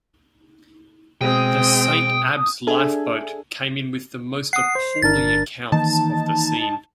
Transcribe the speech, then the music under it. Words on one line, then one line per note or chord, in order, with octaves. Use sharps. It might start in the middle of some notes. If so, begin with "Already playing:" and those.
The Saint Abbs' lifeboat came in with the most appalling accounts of the scene.
B2 G#3 C4 G5 D#6
D4 G#4 A4 E5 G#5
F#5 D#6 C7
C5
G1 D4 A#4 A6
D#3 E3 A#3 D#4 A5